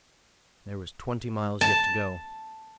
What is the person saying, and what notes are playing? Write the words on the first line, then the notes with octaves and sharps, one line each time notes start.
There was twenty miles yet to go.
A5